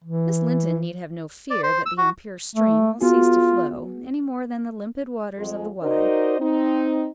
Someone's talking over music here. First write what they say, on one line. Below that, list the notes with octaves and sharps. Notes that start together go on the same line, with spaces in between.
Miss Linton need have no fear that the impure stream will cease to flow, any more than the limpid waters of the Wye.
E3
D5
C5
E6
F#4
A3
B3 F4 F#4 G#4
F2 G#3
D#4 F#4 A#4 C5 D5 D#5
C4 D#4